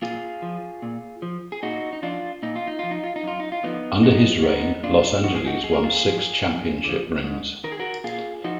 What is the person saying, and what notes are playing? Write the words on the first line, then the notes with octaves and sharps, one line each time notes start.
Under his reign, Los Angeles won six championship rings.
A#2 F4 G#4
F3
A#2
F3
G#4
A#2 D#4 F#4
D#4
F3 D4 F4
A#2 D#4
F4
D#4
F3 F4
D#4
F4
D#4
F#2 F4
D#4
F4
D3 F3 B3 D#4
F#2 B3 D#4
D#3 B3 D#4
A#2 D4 F4
F3 F#4
G#4
D#4 F#4
F#2 G#4
A#4
F4 G#4
F3
F2
D3 F3
G#2
D#3 A#4
G#4
F#4 A#4
A#2 F4 G#4
F3 D#4 F#4